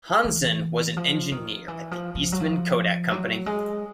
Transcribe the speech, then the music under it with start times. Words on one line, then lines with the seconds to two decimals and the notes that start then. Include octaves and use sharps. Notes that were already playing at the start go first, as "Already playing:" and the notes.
Hansen was an engineer at the Eastman Kodak Company.
0.25 E3
0.97 F3
1.32 D#3
1.68 E3
1.91 F3
2.15 F3
2.32 F#3
2.40 F3
3.11 F#3
3.46 G#3